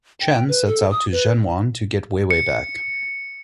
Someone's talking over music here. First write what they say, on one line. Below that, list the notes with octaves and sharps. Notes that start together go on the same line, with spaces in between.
Chen sets out to Zhenyuan to get Weiwei back.
G5
B4
A4
D#6
B4
C#7